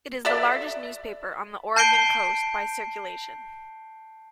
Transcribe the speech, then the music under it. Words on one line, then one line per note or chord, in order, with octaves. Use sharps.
It is the largest newspaper on the Oregon coast by circulation.
A4 D5 E5
A5 G6 C7 D7 G7